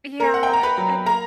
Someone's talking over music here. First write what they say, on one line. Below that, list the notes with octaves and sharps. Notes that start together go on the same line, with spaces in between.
Yeah, and,
A#3 A#4 A#5
F#5
G5
A#3 A#5
B4 B5
F#3
A#3 A#4 A#5